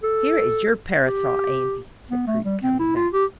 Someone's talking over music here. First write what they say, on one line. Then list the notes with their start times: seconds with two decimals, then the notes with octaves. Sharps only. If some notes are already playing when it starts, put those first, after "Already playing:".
"Here is your parasol, auntie," said Prudy, coming back.
0.03 A4
1.06 G4
2.10 B3
2.27 A3
2.45 G3
2.62 C4
2.79 E4
2.96 F4
3.13 G4